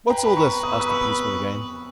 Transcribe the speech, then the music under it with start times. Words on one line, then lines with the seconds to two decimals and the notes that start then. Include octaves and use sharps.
'What's all this?' asked the policeman again.
0.10 B4 G5 A#5
0.25 B5
0.36 A#5 C#6
0.63 D#6
0.72 E6
0.81 B5 D#6
0.89 C#6 E6